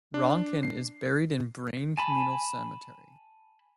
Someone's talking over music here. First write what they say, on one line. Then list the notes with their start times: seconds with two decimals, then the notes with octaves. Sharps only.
Ranken is buried in Braine Communal Cemetery.
0.14 D4
0.63 C7
1.98 G#5 A5 B5